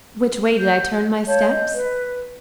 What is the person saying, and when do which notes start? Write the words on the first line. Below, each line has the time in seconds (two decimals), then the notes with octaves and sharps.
Which way did I turn my steps?
0.59 G6
1.28 C#5 F5 A5 G6
1.50 D#5 G6
1.74 B4